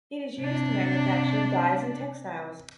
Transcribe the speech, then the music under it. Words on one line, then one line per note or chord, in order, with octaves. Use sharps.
It is used to manufacture dyes and textiles.
C3 D4